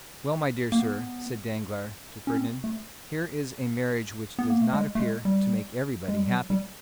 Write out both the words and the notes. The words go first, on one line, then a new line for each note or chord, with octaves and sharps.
"Well, my dear sir," said Danglars to Fernand, "here is a marriage which does not appear to make everybody happy."
A#3
B3
C#4
C4
A3
B3
A#3
A3
G#3
A3
G#3
G3
G#3
G3
F#3
G3